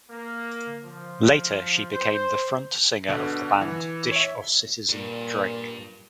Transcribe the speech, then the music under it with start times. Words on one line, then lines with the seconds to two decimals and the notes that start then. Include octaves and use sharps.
Later she became the front singer of the band "Dish Of Citizen Drake".
0.10 A#3
0.84 F3
1.94 C5
3.09 B2 D3
3.61 E3
4.12 C#5 E5
4.89 G2 A#2